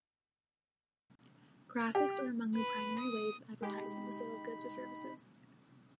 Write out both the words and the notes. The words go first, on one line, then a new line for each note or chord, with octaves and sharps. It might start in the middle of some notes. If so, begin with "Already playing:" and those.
Graphics are among the primary ways of advertising the sale of goods or services.
G4
B4
D#6
G#3 D#4 G4 B5